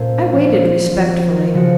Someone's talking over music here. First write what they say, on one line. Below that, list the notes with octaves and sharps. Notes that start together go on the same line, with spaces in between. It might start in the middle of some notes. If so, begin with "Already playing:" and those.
I waited respectfully.
Already playing: A#2 A3 C#4 A4 C5
F3 C4 F4
F3 C4 F4
C#3 F3 C4 F#4